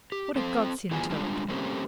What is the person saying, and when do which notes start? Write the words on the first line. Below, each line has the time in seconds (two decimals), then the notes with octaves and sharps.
What a godsend to it!
0.12 G4
0.36 C4 A4 C5
0.91 E3 G3 B3 F4 G#4 G#5
1.10 G3 G#3 D4 F4
1.48 G3 A3 A#3 C4 C#4 G4